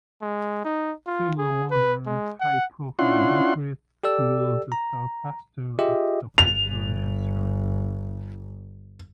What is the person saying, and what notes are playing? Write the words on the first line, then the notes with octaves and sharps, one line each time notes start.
Several modern high-profile guitarists use the Starcaster as a preferred instrument.
G#3
D#4
F4
G#4
B4
G#3
F#5
C#4 D4 E4 F4 F#5 C6
G4 A4 D5 E6
A#5
F4 G4 G#4 D#5 E5
G1 F7